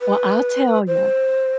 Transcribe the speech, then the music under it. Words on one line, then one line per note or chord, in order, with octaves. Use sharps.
Well, I'll tell ya.
B4
C5